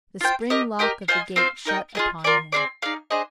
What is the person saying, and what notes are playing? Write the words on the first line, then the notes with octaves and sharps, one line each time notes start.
The spring-lock of the gate shut upon him.
F4 C5 G5
G4 A#4 D#5
G4 A#4 D#5 G5
F4 C5 D#5 G#5
C4 F4 C5 F5
D#4 A#4 D#5 G5
F4 G#4 D#5
F4 A#4 D5 G#5
C4 F4 G#4 D5
D#4 G#4 D5 F5
D4 G#4 C5 D#5